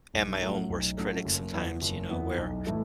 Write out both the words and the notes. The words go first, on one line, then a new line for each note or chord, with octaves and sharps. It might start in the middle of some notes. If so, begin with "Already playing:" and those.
am my own worst critic sometimes, you know, where,
B1
A2 F#3 A3 C#4
B1
A2 F#3 A3 C#4
F#1
E2 E3 B3
F#1
E2 E3 B3
B1
A2 E3 A3 E4